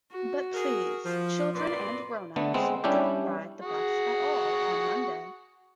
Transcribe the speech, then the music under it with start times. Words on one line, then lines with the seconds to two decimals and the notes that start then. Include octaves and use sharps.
But please, children and grown-ups, don't ride the bus at all on Monday.
0.11 F#4
0.55 G#4 A#4
1.04 F3
1.55 F#2 A#2 B4 D5 C6
2.36 D3 A3 B3
2.54 G#3 B3 C4
2.84 G3 C#4 D4 E4 G4
3.61 F#4 G#4